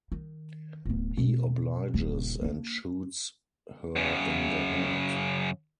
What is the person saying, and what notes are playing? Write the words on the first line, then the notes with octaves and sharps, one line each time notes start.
He obliges, and shoots her in the head.
D#3
D1 B3
B2
D#1 D#4
A#3 D4
F#2 C#3